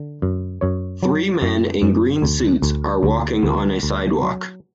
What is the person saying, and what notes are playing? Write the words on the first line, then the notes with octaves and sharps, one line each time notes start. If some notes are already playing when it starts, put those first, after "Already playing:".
Three men in green suits are walking on a sidewalk.
Already playing: D3
F#2
F#2 C#5
F#3
F#2
F#2
D2
D2
D2
D2
D2
F#3